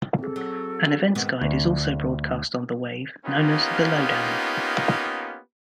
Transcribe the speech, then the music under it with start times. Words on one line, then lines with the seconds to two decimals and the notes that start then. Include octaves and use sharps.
An events guide is also broadcast on The Wave, known as "The Lowdown".
0.19 C4 G#4 A4
0.36 F#3
1.15 G#2 D#3 B3
1.42 D2
3.25 A#3 B3 C#4 D#4 F4 G4